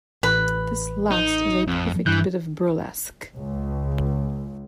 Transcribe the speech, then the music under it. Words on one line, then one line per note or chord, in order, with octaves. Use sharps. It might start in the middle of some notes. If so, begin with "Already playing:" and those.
This last is a perfect bit of burlesque.
A1 B4
D#4
F2
G2 E3 F#6 G6
C#2